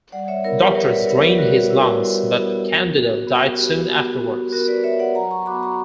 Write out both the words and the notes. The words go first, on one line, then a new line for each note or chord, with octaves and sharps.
Doctors drained his lungs, but Candido died soon afterwards.
G3 D5 F#5
C#5 E5
B3 E4 A#4 C#5
G4 B4
G3 A#4 C#5
B4 D5
B3 E4 A#4 C#5
G4 B4
G3 F#4 A#4
B3 E4
G3
B3 E4
B3
F#4
B3
F#4 G4
B3
F#4
B3 F#4 A#4
B4 D5
F#4 C#5 E5
D5 F#5
F#3 F#5 A#5
A#5 C#6
B3 F#4 B5 D6
A#5 C#6